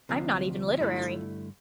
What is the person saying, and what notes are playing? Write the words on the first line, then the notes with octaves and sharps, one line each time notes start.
I'm not even literary.
D2 C3 F3
G2 D3 A3 E4 F4